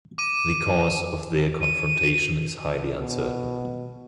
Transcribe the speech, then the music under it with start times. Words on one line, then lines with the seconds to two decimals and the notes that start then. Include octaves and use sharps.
The cause of their confrontation is highly uncertain.
0.18 D6 D#7
1.61 D#7
2.99 B2